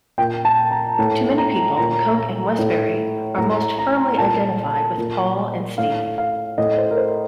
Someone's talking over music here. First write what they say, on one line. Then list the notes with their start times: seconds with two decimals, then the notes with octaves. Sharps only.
To many people, Coke and Westbury are most firmly identified with Paul and Steve.
0.18 A#2 G5
0.45 A5
0.71 A#5
0.99 A2
1.38 A#5
1.77 A#2 A#5
2.18 A#5
2.59 A2
3.38 A2 A#5
3.78 A#5
4.18 A#2 A5
4.98 A#2
5.78 A2 F5
6.18 F5
6.58 A2 D#5
6.78 C5
6.91 A#4
6.97 C5